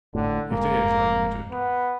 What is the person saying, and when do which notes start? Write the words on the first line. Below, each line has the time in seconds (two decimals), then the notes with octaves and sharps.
"It is," I admitted.
0.15 G#1 A2 D3
0.51 F1 G#2 G#3 A#3
1.51 B3